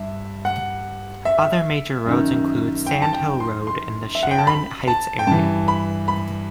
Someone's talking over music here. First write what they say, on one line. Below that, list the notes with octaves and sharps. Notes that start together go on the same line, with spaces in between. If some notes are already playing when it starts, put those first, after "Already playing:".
Other major roads include Sand Hill Road in the Sharon Heights area.
Already playing: G2 E5
F#5
E5
F#2 D#3
G5
A5
G5
C6
C6
E5
F#5
G5
A5
B5
A5
G5
G2 E3 A5
B5
B5